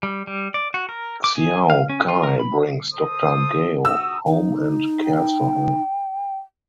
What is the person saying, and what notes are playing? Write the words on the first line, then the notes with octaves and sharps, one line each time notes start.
Xiao Kai brings Doctor Gao home and cares for her.
G3
G3
D5
F#4
A#4
D6
G#4
F5
C#4
F4
A#4
B5
A4 C5 D#6
F#4 D#6 E6
D#4
G5